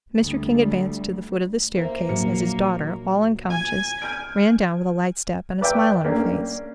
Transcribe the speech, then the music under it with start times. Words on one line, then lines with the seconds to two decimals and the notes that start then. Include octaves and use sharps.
Mr. King advanced to the foot of the staircase as his daughter, all unconscious, ran down with a light step, and a smile on her face.
0.21 D2 G3
1.75 A#3 C5 E5
2.09 A#1 F#3 C#7
3.49 G#5
4.02 F6 G6 D7
5.61 B4 D5 E5 G5
6.04 A#3 C#4 D4